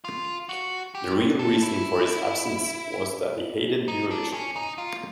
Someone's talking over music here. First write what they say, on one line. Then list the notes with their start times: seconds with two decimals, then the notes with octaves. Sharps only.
The real reason for his absence was that he hated Eurovision.
0.05 F4
0.49 F#4
0.95 G4
1.39 A4
1.63 E4
3.88 D#4
4.11 D4
4.33 C#4
4.56 D#4
4.78 F4